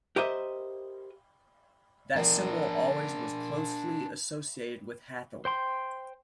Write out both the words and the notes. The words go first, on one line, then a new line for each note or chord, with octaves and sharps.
That symbol always was closely associated with Hathor.
G4 A#4 C5 D#5 E5
D4 A#4
C5 G5 C6